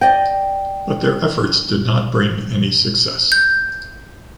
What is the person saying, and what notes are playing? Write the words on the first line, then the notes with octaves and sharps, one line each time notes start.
But their efforts did not bring any success.
D5 D#5 G5
G6